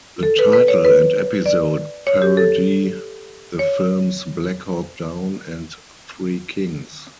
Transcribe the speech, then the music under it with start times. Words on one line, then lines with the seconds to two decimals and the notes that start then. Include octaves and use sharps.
The title and episode parody the films "Black Hawk Down" and "Three Kings".
0.23 A4
0.39 B4
0.53 B4
0.68 C#5
0.85 B4
1.46 D5
2.07 C#5
2.22 G4
2.37 A4
3.59 C#5